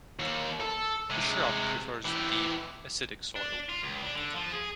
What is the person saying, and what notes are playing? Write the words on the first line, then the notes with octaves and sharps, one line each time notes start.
The shrub prefers deep, acidic soil.
D#2
A4
C3 G#3
E3 G4
D4
F4
C#2
D4
D3
F3
G#4